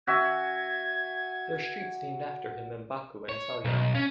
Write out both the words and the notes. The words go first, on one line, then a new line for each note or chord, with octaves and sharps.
There are streets named after him in Baku and Salyan.
F#4 E5 G#5 G#6
C#5
B1
C#4